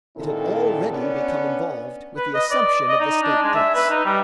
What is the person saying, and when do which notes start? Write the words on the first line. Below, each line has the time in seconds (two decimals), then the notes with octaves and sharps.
It had already become involved with the assumption of the state debts.
0.17 A#2 D#3 G#3 C4 E4 A4
0.89 B3 C#4 D4 D5
2.17 B4
2.34 D#5
2.51 D5
2.89 D#5
3.00 D#4
3.23 D4
3.43 G#3
3.55 E5
3.75 B4
3.90 D#4
4.05 G3